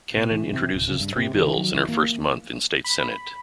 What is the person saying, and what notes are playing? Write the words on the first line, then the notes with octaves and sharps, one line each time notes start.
Cannon introduces three bills in her first month in state senate.
B2
E3
C3
D1
C#3
G2
C3
D#3
F#3
E3
A#3
B5